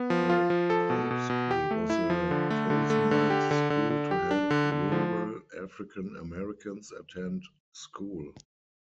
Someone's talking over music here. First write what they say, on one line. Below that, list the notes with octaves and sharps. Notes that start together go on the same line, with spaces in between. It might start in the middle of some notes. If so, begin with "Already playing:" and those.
The Hope School was a Rosenwald School to help rural African-Americans attend school.
Already playing: B3
F3
F4
F3
A4
B2
B2
B2
G4
A3
E4
F3
D3
A3
D3
A3
D3
G4
D3
D3
D3
G4
D4
D3
D3
F3